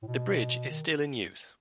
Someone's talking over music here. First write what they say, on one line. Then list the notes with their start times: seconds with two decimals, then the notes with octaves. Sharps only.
The bridge is still in use.
0.02 A2
0.07 B2
0.70 D#3